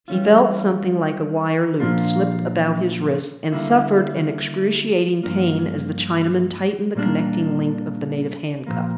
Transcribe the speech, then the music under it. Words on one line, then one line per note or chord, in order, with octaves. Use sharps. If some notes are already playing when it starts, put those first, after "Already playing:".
He felt something like a wire loop slipped about his wrists, and suffered an excruciating pain as the Chinaman tightened the connecting link of the native handcuff.
E3 G3 C#4 F4
A#2 F3 A#3 D4 F4
D3 G3 A#3 E4
G2 F3 A#3 D4
A#2 G3 A#3 D4
A#2 F3 A#3